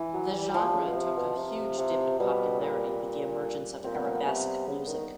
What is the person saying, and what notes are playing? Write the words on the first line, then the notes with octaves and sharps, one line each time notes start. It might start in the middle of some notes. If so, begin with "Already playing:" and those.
The genre took a huge dip in popularity with the emergence of Arabesque music.
Already playing: E3
F#3
G3
F#3
F3 G3
C#3
B2
C3
B2
C3
C3
B2 G3
A#2
A#2 C4
B3
A#3
B3
C3
C#3
D#3